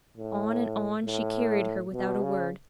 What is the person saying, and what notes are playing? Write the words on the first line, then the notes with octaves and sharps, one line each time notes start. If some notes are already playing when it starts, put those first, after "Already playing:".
On and on she carried her without a word.
A2
A2
B2
C#3